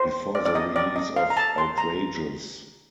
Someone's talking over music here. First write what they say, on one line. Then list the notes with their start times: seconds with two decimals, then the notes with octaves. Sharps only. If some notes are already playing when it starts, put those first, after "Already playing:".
Before the release of Outrageous!
Already playing: C5
0.35 D5
0.46 D5
0.55 D#5
0.76 D5
0.96 D#5
1.16 F5
1.30 A#5
1.37 A5
1.58 C6
1.78 A#5